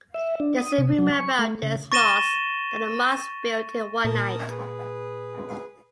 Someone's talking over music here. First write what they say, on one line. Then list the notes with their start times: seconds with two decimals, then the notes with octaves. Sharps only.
There is a rumour about this mosque that the mosque built in one night.
0.14 E5
0.40 D4
0.58 D#6
0.78 C3
0.98 F#3
1.13 C#6
1.39 A3
1.63 C#3
1.92 C#6 A6 A#6 D#7 E7 G7
4.05 A#2 A#4 A5 D#6
4.49 G#4 B4